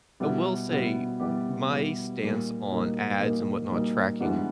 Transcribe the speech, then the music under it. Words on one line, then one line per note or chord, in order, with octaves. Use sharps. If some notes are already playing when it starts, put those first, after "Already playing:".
I will say my stance on ads and whatnot tracking,
B2 G3 B3 E4 G4
B2 G3 B3 E4 G4
B2 G3 B3 E4 G4
B2 G3 B3 E4 G4
A#2 G3 A#3 D#4
A#2 G3 A#3 D#4
A#2 G3 A#3 D#4
A#2 G3 A#3 D#4
G#2 E3 G3 B3 D4